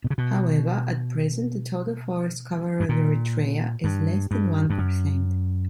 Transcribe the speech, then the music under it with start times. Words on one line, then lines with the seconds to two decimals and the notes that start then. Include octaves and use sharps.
However, at present the total forest cover of Eritrea is less than one percent.
0.04 B2
0.10 C#3
0.18 B2
2.80 G2
2.89 A#2
3.84 G2
4.31 G2
4.70 G2
4.78 F#2